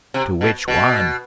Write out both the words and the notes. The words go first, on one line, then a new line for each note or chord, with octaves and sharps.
"To which one?"
C3
B2
B2